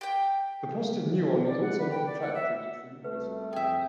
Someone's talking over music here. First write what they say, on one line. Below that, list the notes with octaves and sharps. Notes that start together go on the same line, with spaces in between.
The positive muon is also not attracted to the nucleus of atoms.
G4 G5
D5
F#5
B4
G5
D5
F#5
E5
C2 A3 B4
F2 G#4 E5 G5